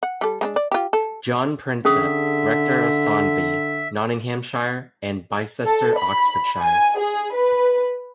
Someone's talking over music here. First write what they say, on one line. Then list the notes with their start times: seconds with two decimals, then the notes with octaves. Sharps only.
John Prinsep, rector of Saundby, Nottinghamshire, and Bicester, Oxfordshire.
0.03 F#5
0.21 G3 A4
0.41 G#3 B3 D4
0.56 D5
0.71 F4 G4
0.93 A4
1.85 D3 C#4 G#4 E5 D#6
5.64 A4
5.97 B5
6.63 G#5
6.97 G#4
7.33 B4